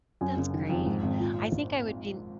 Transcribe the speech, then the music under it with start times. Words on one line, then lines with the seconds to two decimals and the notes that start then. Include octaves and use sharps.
That's great, I think I would be
0.21 F#2 G#5
0.37 F#1
0.54 D#3
0.69 F2
0.86 G#2
1.03 G#1
1.19 A#2